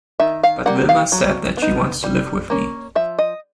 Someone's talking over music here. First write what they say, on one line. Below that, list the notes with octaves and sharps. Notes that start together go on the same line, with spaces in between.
But Vilma said that she wants to live with me.
D#3 E5
F5
G3 A#3 F#5
F5
F#3
B3 D#4
G3
A#3 C#4
F3 E5
D#5